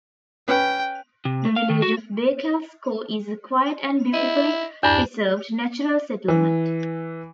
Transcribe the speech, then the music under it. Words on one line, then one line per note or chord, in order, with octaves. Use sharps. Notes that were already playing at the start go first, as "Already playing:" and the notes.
The village of Baykalsko is a quiet and beautifully preserved natural settlement.
C#4 B4 G5
C3
A3
F5
D#3
F#4
E4 D#5
E2 G2 D4
E3